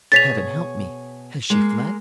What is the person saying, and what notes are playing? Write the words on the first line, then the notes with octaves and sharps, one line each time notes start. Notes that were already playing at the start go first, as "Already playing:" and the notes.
Heaven help me! has she fled?
B2 G#4 C#5 A6 B6 F7
G#3 A#3